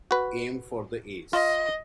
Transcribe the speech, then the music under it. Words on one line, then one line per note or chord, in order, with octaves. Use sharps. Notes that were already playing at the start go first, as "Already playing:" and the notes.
Aim for the Ace!
F#4 B4
F4 D#5